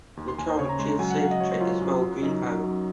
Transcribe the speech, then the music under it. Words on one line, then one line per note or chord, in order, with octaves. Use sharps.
The current Chief Secretary is Will Greenhow.
D#2
C6
D#2 G#5
C5
C#3 C#5
A#5
G#3 C6
A#5
F#3 G#5
F#5
F#3 F5
D#5
F#3 C#5
C5
F#3 F4
F#2 F4
F#2
F#2 D#4
F#3
F#2